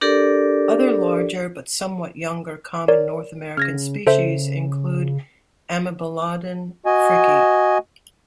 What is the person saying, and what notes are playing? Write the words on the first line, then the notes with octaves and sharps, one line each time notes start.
Other larger but somewhat younger common North American species include "Amebelodon fricki".
D4 G4 A4 A#4 D5
A#4 C#5 D5
C#3 F6 G#6 A#6
C#3 A4 C5 E5
F#4 D#5 G#5